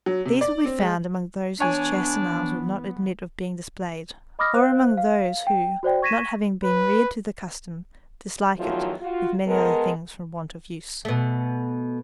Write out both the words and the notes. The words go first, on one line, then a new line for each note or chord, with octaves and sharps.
These will be found among those whose chest and arms will not admit of being displayed, or among those who, not having been reared to the custom, dislike it with many other things from want of use.
F#3
C3
D5
C4
G#3
E3 B3 D4 C#5 G#5
D#5 B5 D6 D#6 F6 A#6
C5 F5 F#6
F5
G5
F#4 C5 D5 G5
C#6 G#6 A#6 B6 D#7 E7
B4
E2 A2 D#3 F3 F#3
F4 F#4
G#3 B3 A4 A#4
B2 A3